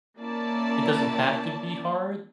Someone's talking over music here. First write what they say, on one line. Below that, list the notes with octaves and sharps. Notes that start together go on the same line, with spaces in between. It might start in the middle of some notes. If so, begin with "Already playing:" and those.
It doesn't have to be hard
A#3 C#4 E4 D5 A5